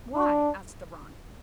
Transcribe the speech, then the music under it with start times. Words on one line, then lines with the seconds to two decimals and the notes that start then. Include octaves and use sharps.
'Why?' asked the ranee.
0.15 D4